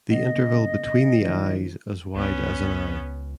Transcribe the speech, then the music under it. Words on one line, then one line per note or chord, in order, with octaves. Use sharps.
The interval between the eyes as wide as an eye.
C#3 A#3 B3 D#5
D#3 F3
C#2 B3 C#4